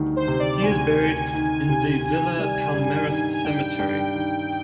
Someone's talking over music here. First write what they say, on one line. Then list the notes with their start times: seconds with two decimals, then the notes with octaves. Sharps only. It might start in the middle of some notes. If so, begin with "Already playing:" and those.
He is buried in the Villa Palmeras Cemetery.
Already playing: D2 D#3 G3
0.16 C5
0.28 C3
0.40 D5
0.62 D2 G#5
0.98 D2
1.34 D#3
1.69 C3
2.04 D#3
2.39 G3
2.74 G2
3.10 D#3
3.34 G#5
3.45 G2 G5
3.80 G2
4.15 D#3